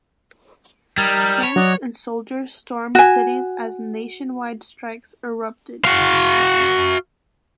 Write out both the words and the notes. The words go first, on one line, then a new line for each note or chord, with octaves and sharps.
Tanks and soldiers stormed cities as nationwide strikes erupted.
G3 D#4 A#4 E6 G#6
C#5 A5 B5
F#3 D5 D#5 F#5
F#4 G#5
F#4 F5